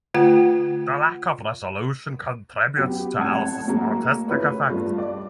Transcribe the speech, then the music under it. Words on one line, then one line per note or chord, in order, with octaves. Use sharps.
The lack of resolution contributes to Ellis' artistic effect.
D3 A3 F4 F#5
F#3 B3 G4
F1 A2 F#5 A5 G#6
A2 F#3 G#3 A#3 A#5
A3 E4 B4 C#5
G2 A3 F4
D5